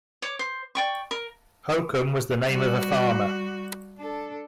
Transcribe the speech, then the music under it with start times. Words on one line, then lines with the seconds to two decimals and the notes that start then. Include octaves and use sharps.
Holcomb was the name of a farmer.
0.22 C#5 D6
0.39 C5
0.75 D5 G5 C#6
1.11 A#4
2.48 G3 F#4
3.97 D4 A4